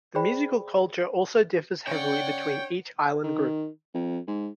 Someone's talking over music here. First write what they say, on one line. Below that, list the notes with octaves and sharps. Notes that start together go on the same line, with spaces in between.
The musical culture also differs heavily between each island group.
G#4 C5 D5 G5 B5
D3 C#4 C#5 D5 F#5 G5
D#3
F2
G#2